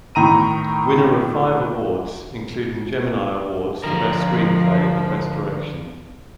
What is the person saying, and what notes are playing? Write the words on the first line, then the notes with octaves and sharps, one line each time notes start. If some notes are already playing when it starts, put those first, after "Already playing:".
Winner of five awards, including Gemini Awards for best screenplay and best direction.
A2 D#3 A#5 D#7
D3 F3 A#4